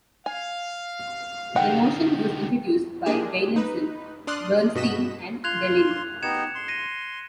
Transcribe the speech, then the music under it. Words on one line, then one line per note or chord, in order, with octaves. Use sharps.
The notion was introduced by Beilinson, Bernstein and Deligne.
F5 G#5
D3 D#4 F#5 G5
G#3 A#3 D4 G4 G#4
D#4 B4
D4 D5 C6 D#6 F6 F#6
G2 B2 F#4 D#5 B6 E7
F4 C6 F#6 G#6 F7
B3 D#4 G4 G#6 C#7 E7
C6
A#6 D#7